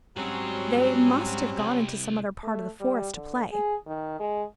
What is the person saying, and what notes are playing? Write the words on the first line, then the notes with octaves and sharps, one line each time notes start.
They must have gone into some other part of the forest to play.
G#2 F#3 G3 C4 C#4 G#4
C2
A3
G3
D3
G#4
D#3
G#3